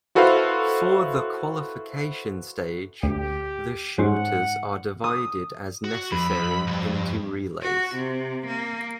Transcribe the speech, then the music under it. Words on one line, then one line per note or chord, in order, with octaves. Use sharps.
For the qualification stage, the shooters are divided as necessary into relays.
E4 F#4 A4 B4 C5 F5
D2 G4
G#2 C#4 C5 F#5
D#6
F#4
F2 B5
F2
B1 G2
F#4
C3
A#3